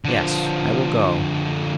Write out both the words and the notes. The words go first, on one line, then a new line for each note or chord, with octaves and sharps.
Yes, I will go.
D3 F3